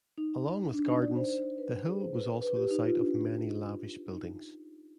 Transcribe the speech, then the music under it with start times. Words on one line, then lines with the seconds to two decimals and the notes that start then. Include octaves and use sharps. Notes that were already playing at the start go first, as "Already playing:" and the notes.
Along with gardens, the hill was also the site of many lavish buildings.
0.18 D#4
0.74 D4
0.88 D#4
1.02 D5
1.16 C5
1.30 C5
1.58 B4
1.86 G#4
2.00 C5
2.14 B4
2.42 B4
2.56 G4
2.71 D#4
2.85 F4
2.98 D4
4.12 D#4